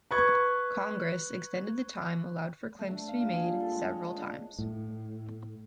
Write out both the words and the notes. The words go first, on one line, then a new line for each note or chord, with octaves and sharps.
Congress extended the time allowed for claims to be made several times.
B4 C#6 G#6
A3
D4
F5
A#2
G#4
G3
A4
G#3
C#5
D#5
D4
A2